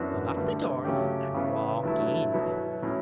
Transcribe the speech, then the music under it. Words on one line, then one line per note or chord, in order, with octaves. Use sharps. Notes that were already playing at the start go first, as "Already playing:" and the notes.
Unlock the doors and walk in.
Already playing: F#2 E3 B3 D4 F#4
G2 D3 A3
C#3 F#3 A3 C#4 G4
C#3 E3 B3
G2 F#3 A3 E4
B2 F#3 B3 E4
A2 F#3 C#4